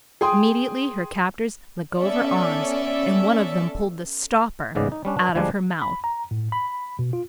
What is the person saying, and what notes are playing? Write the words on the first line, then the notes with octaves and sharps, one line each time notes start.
Immediately her captors let go of her arms and one of them pulled the "stopper" out of her mouth.
G#4 G5 C6 D#6
B3 C#4 A4 D5 E5
A1 G#2 C#3 B3 D5 D#5
D#4
G3 C#4 D4
D4 B4
D2 F3 G3 G#3 D4 G#5
B5
A#5
A2
B5
B2
F4